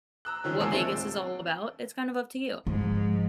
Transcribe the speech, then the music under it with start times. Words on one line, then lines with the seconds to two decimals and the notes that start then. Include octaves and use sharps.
what Vegas is all about, it's kind of up to you.
0.25 A#5 E6 F#6
0.44 D#3 F3 C#4
0.60 E2 A#2 G#3 G#5 A5 E6
0.72 A3 C4 D4
2.67 G#2 F3